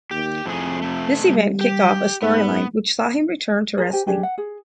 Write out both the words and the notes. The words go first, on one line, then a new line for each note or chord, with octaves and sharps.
This event kicked off a storyline which saw him return to wrestling.
D#2 G4
F2 A2 C3 G#4
C3 A3
G3
G4
G#2 B3
G#4 A#4 C5
G4 C5 G#5
D4 G4 G#4 D5
F#5
G#4